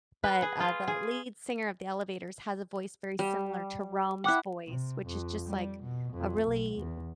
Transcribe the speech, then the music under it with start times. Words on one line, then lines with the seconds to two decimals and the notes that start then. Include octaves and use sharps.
but, uh, the lead singer of The Elovators has a voice very similar to Rome's voice, which is just, like, a really
0.24 B4
0.42 G#4
0.60 F4
0.87 G#4
3.19 G3
4.24 E4 F#5 G5 D6 F#6
4.67 C3
5.07 F2
5.46 G3
5.84 B2
6.14 F2
6.46 B1
6.76 E2